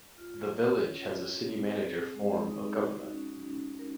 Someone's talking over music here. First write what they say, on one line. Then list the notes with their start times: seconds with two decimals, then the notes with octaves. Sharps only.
The Village has a City Manager form of government.
0.18 F4
0.51 C#5
0.84 C#4
1.17 A4
1.50 C4
1.82 G#4
2.15 G#3
2.48 D#4
2.81 F#4
3.13 C#4
3.46 C#4
3.79 A#4